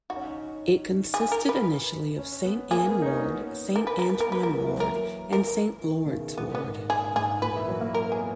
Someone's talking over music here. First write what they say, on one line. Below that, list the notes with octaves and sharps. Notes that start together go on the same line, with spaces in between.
It consisted initially of Saint Anne Ward, Saint Antoine Ward and Saint Lawrence Ward.
D#4 F#4
C#4
D#4
G#4
A#4
B4
C#4
B3
A#3 G#4
B3
D#4
C#4
B3
A#4
B4
A#4
B4
B3 A#4
A#3 B4
F#3 A#4
F#3
E3
A#4
A#4
D#3
B2
C#3
A#2 B3
A#2 B3
G#2
G#4
G#2 G#4
A#2 B4
E3
F#3
A#3
A#4
G#4
B3